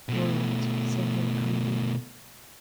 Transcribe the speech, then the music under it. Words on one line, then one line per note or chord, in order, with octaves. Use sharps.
"All right," said Hale kindly.
B2 A3